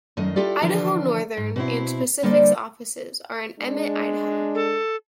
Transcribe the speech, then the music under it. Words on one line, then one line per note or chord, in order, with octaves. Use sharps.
Idaho Northern and Pacific's offices are in Emmett, Idaho.
F#2 D#3 A3 D#5
E4 F4 G4 A4 D5
D3 E3 F3 D4 F4 A4
G#2
B2 C4 E4
D3 G3 A#3 A4 C5 D5
G#3 D4
A4